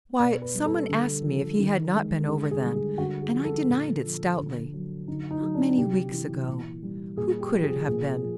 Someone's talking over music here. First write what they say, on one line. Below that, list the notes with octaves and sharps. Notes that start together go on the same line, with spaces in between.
Why, some one asked me if he had not been over then, and I denied it stoutly--not many weeks ago--who could it have been?
B2 D5
B4
G3
A4
D3
F3
D#3
G#3
D3 G#4
G#4
G3
G#4
D3 F#4
G#4
F3
A4
A#2
F3
D3
F#3
D3 D#4
D#4
F#3
D4
C3 G4
E3
A#2
G3
A#2 G#4
G4
F3
G#4
A#2 G#4
F3